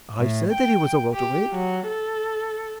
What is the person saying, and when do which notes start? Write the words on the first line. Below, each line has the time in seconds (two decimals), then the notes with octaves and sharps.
"I said that he was a welter weight."
0.18 A2
0.52 G5
1.13 G4
1.52 F#3
1.88 A4